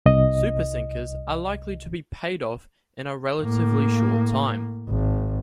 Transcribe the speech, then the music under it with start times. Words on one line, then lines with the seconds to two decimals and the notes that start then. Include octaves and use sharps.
Super sinkers are likely to be paid off in a relatively short time.
0.06 C2 D#5
3.42 A2 A#3
4.89 G#1